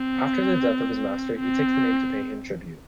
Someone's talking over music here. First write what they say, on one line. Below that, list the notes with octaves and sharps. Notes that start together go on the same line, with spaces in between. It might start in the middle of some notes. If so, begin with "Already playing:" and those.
After the death of his master, he takes his name to pay him tribute.
Already playing: C4
C4